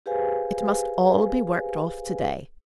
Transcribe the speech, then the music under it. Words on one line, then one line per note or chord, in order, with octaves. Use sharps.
It must all be worked off to-day.
G4 G#4 B4 C5 F5 G#5